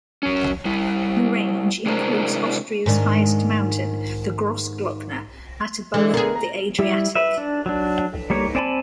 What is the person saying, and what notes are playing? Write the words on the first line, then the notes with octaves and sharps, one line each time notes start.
The range includes Austria's highest mountain, the Grossglockner at above the Adriatic.
F#3 C#4
G3 E4
C3 G#3 D4 E4 A#4 C5
G#2 D#3 D4
D3 E3 G#3
B3 G#4 A#4
A#5
G3 E4
B4 E5
D4
F#3 D4
G3 A#3 C#5
C4 D5 G#5 A5 B5